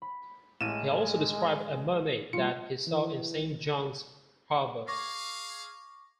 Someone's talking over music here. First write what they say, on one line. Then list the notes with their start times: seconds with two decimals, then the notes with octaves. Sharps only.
He also described a mermaid that he saw in Saint John's harbour.
0.02 B5
0.61 A1 G#3 D#7 E7
2.33 G3 A#3 F4 C#7
2.87 E3
4.88 G#4 F5 C#6 D6 A#6